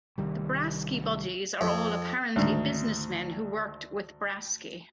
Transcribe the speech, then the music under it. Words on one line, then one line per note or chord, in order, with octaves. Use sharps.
The Brasky Buddies are all apparently businessmen who worked with Brasky.
C2 D#3 G3
F2
D2 G#2 D#3